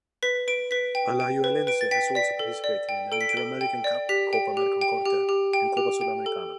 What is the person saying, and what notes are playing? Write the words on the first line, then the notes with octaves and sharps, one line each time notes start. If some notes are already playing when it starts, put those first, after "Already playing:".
Alajuelense has also participated in the Interamerican Cup, Copa Merconorte and Copa Sudamericana.
B4 B6
B4 D7
B4 B6
G5
G5
B4
B4 D7
A6
G5 B6
D5 B6
A4
D5
G5
A4 D7
B6
D7
A4
G5
D5
G4 B6
G5
G4
G5
G4
G4
G5
G4
G5
A4